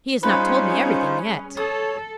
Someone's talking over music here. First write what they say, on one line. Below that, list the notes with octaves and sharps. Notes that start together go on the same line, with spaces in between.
He has not told me everything yet.
G3 C#4 D#4 F4 G#4 B4 C5
A4 C#5 D#6